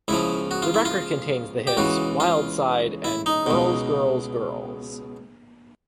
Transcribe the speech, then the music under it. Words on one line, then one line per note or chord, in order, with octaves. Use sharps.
The record contains the hits "Wild Side" and "Girls, Girls, Girls".
C#2 C#3 F3 E4
F#4
F4
E4
F4
G4
C#2 C#3 E3 F#4
F4
E4
D#4
C#2 B2